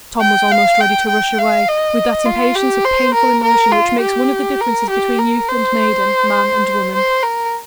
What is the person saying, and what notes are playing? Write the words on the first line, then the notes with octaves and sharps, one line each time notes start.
Tom was almost ready to rush away, with that impatience of painful emotion which makes one of the differences between youth and maiden, man and woman.
G5
F5
G5
G5
F5
D#5
F4
G4
C5
A#4
A#4
F4
G4
A#4
G4
A#4
C5
C5
A#4